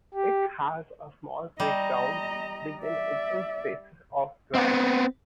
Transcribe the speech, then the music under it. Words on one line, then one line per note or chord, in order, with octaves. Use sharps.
It has a small playground, with an open space of grass.
G4
G3 D#5 A#5
D5 E5
B3 C4